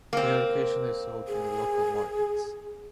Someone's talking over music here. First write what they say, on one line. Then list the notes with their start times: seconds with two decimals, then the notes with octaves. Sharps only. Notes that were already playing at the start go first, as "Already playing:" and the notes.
They are occasionally sold in local markets.
0.13 A#3 C4
1.28 G#4